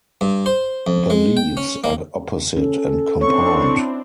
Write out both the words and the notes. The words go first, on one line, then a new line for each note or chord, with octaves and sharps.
The leaves are opposite and compound.
G2
C5
F2
G#3
G5
C#4
A#3
C#4 A4
C4 D4 E4 C#5 C#6